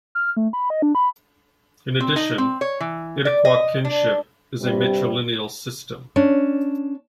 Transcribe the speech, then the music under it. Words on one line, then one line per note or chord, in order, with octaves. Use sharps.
In addition, Iroquois kinship is a matrilineal system.
F6
A3
B5
D#5
D4
B5
C4
D#4
C4
C#5
E3
D5
D#5
D4
G2 C3 G3 C4 G4
C#4 D4